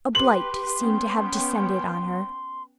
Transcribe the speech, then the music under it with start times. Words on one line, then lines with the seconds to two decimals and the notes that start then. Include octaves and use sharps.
A blight seemed to have descended on her.
0.15 G4 B4 C6 F#7
0.82 B3 C#4 G5